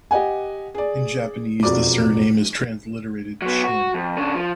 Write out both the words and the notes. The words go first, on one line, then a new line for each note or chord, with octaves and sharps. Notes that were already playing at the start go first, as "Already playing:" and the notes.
In Japanese, the surname is transliterated Chin.
G4 D#5 F#5 G#5
G#4 D5
E1 F2 F#4 D5 D6
F#3 B3
F#4
F2
C#3 D4
F3